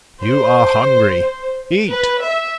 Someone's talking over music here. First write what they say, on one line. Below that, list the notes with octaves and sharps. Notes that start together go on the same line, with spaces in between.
"You are hungry; eat!"
C5
B4
E5